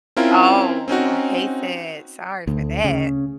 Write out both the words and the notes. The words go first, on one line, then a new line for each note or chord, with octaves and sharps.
Oh, I hate that, sorry for that.
C4 C#4 E4 F4 A#4
C4 C#4 D#4 F#4
D2
C#3